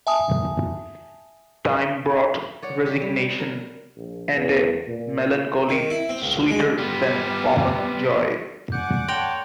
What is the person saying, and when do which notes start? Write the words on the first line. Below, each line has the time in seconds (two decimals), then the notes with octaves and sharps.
Time brought resignation, and a melancholy sweeter than common joy.
0.07 E5 G#5 A5 D#6
2.62 C#5 D5 F#5
2.86 G4
3.02 G3
3.40 A#4
3.97 A#1
4.36 E2
4.87 A#2
5.69 D#3
5.90 E4
6.09 C4
6.23 C#2
6.36 D2
6.51 G#3
6.78 G3 B3 F4
8.72 D5 F#5 G#5 D6 G6
9.08 C#5 G5 A5 C6 A#6 F7